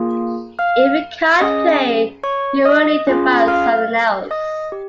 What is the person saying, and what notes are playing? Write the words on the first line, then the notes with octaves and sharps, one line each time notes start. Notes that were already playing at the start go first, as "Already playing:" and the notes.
If you can’t play, you will need to find something else.
Already playing: A#3 F4 G#4
F5 F6
C#4 G#4 D#5 D#6
C#5 C#6
D#5 D#6
C#4 F4 G#4
F5 F6
D#5 D#6
G4